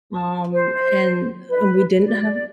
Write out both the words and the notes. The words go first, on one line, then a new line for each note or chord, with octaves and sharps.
Um, and, uh, we didn't have
A5
C5
B4
D5